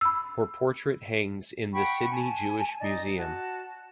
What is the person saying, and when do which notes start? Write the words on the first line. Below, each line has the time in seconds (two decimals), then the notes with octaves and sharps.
Her portrait hangs in the Sydney Jewish Museum.
0.01 B5 E6
1.74 F#5 G5 B5 C#6
2.10 G#5 A5
2.79 D#4 D5 D#5
3.15 F#4 A5